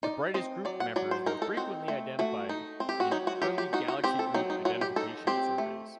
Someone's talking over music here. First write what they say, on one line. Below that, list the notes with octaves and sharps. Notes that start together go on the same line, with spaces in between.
The brightest group members were frequently identified in early galaxy group identification surveys.
D#4 D5
C4 D#5
F#3 D5
F#5
F#3 D5
C5
D#4 A#4
A4
C4 F#4
A3
A3 F#4
D#4
C4
G4
F#4
F#3 D#4
F#4
F#3 G4
G4
D#4 F#4
F#4
C4 G4
A4
F#3 D#4
D#4
F#3 F#4
G4
D#4 A4
C4 G4
A3